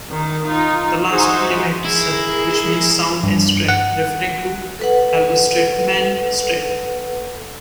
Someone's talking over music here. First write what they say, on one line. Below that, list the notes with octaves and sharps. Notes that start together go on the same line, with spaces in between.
The last element is "sund" which means "sound" or "strait", referring to Alverstraumen strait.
D#3
D#4 F4
D#4 F#4 G#4 C5 E5
E4 G#4 A#4
G2
F#5
A4 B4 F#5